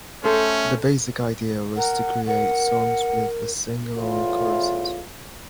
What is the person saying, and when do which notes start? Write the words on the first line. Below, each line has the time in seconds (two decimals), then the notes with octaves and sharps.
The basic idea was to create songs with sing-along choruses.
0.24 A3 C#4 A4 C5
1.77 A#4 F#5
2.27 A#4 F#5
3.96 E2 A2 F4